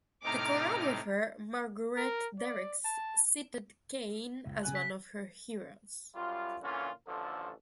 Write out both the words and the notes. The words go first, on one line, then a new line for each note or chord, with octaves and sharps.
The choreographer Marguerite Derricks cited Kain as one of her heroes.
A2 C3 D#4 A#5 D6 F6
A#4
D5
A5
C#2
C#3 G#5 F#6
B6
F#2 G3 F4
A#2 D3 E3 C#4 F4
A1 D3 F3 A4